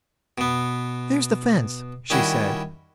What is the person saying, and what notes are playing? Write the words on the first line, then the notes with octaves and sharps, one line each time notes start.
"There's the fence," she said.
B2 B3
D#3 G3 C#4 E4 F#4